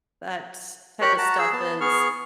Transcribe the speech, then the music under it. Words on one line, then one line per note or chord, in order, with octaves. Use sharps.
that's type of stuff is
G4 A#4 C#5 A#5 F#6
F#4 A5 A#5
G#4 E6
B3 A5
B3 G#4 C#6 F6